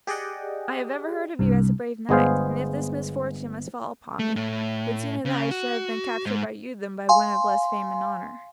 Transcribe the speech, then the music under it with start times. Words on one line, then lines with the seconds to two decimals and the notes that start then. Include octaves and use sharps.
"I have ever heard of you as a brave knight, and if this misfortune must fall upon me, would sooner that I should have been captured by you than by one of less fame and honour."
0.07 G4 G#4 D5 D#5 F#5 G5
1.39 C2 G2
2.09 G1 G#3 B3 G#4 C5 F5
4.19 A3
4.36 A2
5.25 C#3
5.51 F#4
6.26 G#2
7.09 F5 G#5 C6